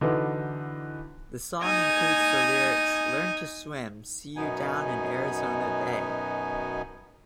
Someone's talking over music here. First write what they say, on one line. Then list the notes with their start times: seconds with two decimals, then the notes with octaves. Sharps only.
The song includes the lyrics Learn to swim, see you down in Arizona Bay.
0.01 D3 E3 D#4 F#4 B4
1.63 D#4 G#5
4.36 F#2 B2 B3 D#4 G#5